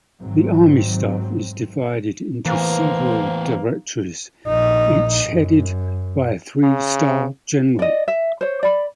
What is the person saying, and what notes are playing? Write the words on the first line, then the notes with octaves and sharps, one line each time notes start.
The Army Staff is divided into several directorates, each headed by a three-star general.
G#1 F#3 C4
E2 A2 E3 A#3 C5
A#1 D#4
F#2
C#3
D5 D#5
E5
C5 C#5
D5 B5